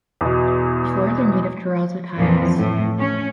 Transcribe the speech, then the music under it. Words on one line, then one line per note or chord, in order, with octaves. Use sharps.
The floors are made of terrazzo tiles.
E2 B2
F2 A#2 E3 F3
A2
C#4